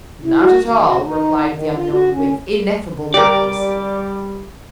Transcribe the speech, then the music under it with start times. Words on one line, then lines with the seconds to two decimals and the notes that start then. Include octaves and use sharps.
"Not at all!" replied the unknown, with ineffable majesty.
0.24 E4
0.41 F#4
0.69 D#3
0.86 F#4
1.04 D#4
1.53 D#3
1.75 F4
1.92 F#4
2.13 C#4
3.14 G3 G4 A#4 D5